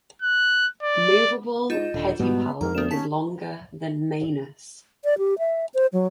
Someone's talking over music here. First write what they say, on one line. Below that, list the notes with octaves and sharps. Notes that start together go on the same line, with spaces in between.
Movable pedipalp is longer than manus.
F#6
D5
G#2 F4 D#5 G6 E7
D#1 D3
G#2 B2 G3 B3
F2 G#2 A#4 A#5
D2 B3 E7
D#2 C#4 A5 B6
D5
G4
E5
C5
F#3